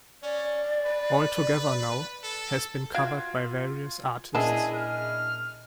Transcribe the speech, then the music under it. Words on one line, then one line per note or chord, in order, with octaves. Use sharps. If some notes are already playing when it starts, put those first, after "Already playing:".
"All Together Now" has been covered by various artists.
C#4 D5
B4
A4
F4 F#4 F5 G#6 D7
A#2 C#3 D4 E4 G#4 D#5 E5 A5
F6